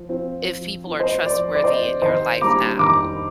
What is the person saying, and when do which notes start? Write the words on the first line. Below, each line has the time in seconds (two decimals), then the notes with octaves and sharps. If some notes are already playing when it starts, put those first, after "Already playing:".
if people are trustworthy in your life now?
Already playing: F3
0.09 C4 F4
0.49 F3
0.87 C4 F4
1.00 C5 D#5
1.26 F3 D5
1.55 D5
1.63 C4 F4 C5 D#5
2.02 D#3 C5 D#5
2.42 G3 A#3 D4 F4 A#5 D6
2.79 D#3 A#5 D6